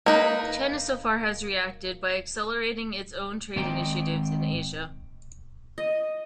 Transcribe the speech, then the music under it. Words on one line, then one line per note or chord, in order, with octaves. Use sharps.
China so far has reacted by accelerating its own trade initiatives in Asia.
A#3 D#4 B4
G#2 D#3 C4 D5 G5 A#5
D#5